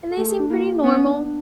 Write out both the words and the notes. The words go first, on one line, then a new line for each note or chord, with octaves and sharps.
and they seemed pretty normal,
A4
A3 G#4
G#4
D4
A#3 E4
F4
G4
B3 D4
C#4
D4